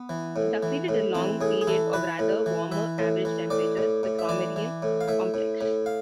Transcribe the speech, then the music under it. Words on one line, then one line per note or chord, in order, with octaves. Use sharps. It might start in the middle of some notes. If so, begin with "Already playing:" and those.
It succeeded a long period of rather warmer average temperatures, the Cromerian Complex.
Already playing: B3
E3
A2
E3
A2
E3 C4
A2 G#4
G#4
E3 A4
E3 B4
A2
E3
E3 E5
A2
E3
A2 D5
A2
A2
E5
E3 D5
E3
A2
F5
A2 E5
A2
A2
F5